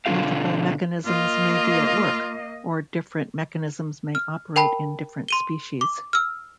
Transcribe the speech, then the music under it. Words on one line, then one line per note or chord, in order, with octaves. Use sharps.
Multiple mechanisms may be at work, or different mechanisms may operate in different species.
B2 D3 G#3 F4 G4 F5
A#3 F4 D#5
F6
A#4 G5 A5 B5
C6 D#7 G7
D6
E6 F6